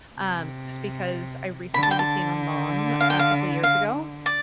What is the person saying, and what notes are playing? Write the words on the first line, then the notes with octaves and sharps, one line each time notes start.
um, just because I recently became a mom a couple years ago,
C3
D3 B5
A5
G5
A5
F5
G5
F5
F5
D5